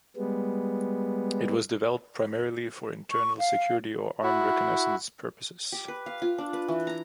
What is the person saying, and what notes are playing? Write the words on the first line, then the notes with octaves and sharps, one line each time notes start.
It was developed primarily for internal security or armed reconnaissance purposes.
G3 G#3 B3
C#6
F5
E4 F#4
G4
B4
F5
F4
D4
B4
E3
A#5